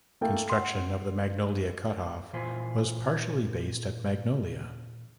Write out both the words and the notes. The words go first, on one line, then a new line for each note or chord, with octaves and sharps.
Construction of the Magnolia Cutoff was partially based at Magnolia.
A3 A#3 E4 A4 G5
F#5 C6
A#2 E3 F4 B4 C5 G#5